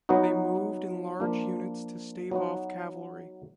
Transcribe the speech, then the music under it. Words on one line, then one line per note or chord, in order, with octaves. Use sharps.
They moved in large units to stave off cavalry.
F#3 B3 D#4 F#4
F3 A#3 D4 F4
F#3 B3 D#4 F#4